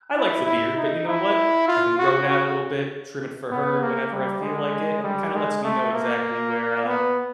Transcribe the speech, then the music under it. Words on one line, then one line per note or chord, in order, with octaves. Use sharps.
I like the beard, but you know what? I can grow it out a little bit, trim it for her whenever I feel like it, and it kinda lets me know exactly where, uh,
E4
E4
D#4
E4
F4
F#4
F#4
B3
A#3
G3
G#3
G3
G#3
A3
A#3
B3